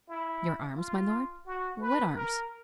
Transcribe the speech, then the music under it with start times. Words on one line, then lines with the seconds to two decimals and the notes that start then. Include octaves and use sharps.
"Your arms, my lord--what arms?"
0.08 E4
0.77 F4
1.46 F#4
1.81 B4
2.15 A#4